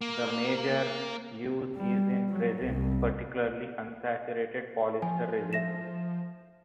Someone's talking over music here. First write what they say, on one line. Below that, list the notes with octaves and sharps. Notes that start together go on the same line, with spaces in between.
The major use is in resins, particularly, unsaturated polyester resins.
A#3
G3
F#3
C2
F3 G#5
E5 A#6 E7